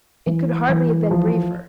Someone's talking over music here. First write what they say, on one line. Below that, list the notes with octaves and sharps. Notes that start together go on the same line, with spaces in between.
It could hardly have been briefer.
E3
E3
F3